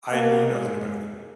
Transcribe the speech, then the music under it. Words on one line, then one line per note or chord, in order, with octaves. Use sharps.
I know nothing about it.
A#3
G#3